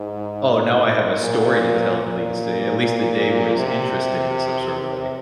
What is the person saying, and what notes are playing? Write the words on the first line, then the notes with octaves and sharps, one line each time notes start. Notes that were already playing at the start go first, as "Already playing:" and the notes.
"Oh, now I have a story to tell at least. Uh, at least the day was interesting in some sort of way."
Already playing: G#2
A#2
A#2
C3